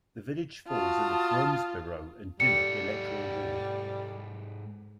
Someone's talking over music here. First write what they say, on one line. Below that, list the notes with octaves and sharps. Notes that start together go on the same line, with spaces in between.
The village falls in the 'Bromesberrow and Dymock' electoral ward.
F4 F#4 A5 D#6
G#2 G3 A4 C#7